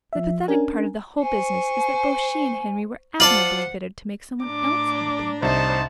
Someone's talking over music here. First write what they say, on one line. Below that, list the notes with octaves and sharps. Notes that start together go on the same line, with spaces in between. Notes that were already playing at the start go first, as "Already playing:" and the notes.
The pathetic part of the whole business is that both she and Henry were admirably fitted to make some one else happy.
F3 E5
C#4 D4 A#4 G#5
C5 G#5 C#6
F4 C5 D5 F#5 A5 F#7
A2 D4 A#5 D6
C2 D#4 C5 A5